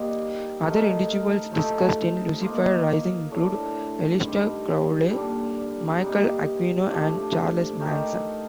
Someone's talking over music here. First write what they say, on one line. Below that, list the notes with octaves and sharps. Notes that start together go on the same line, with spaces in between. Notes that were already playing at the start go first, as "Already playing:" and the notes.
Other individuals discussed in "Lucifer Rising" include Aleister Crowley, Michael Aquino, and Charles Manson.
Already playing: G3 A#3 C4 D#4 G4 D5
A3 D#4 A#4 F5
F3 A3 D#4 A4
A#3 F4 C5 D#5
A2 A3 D4
G2 D#3 G3 C4
A#2 G3 D4 A4
C3 G3 A#3 D#4
C3 F3 A3 D4
A3 D#4 G4 A#4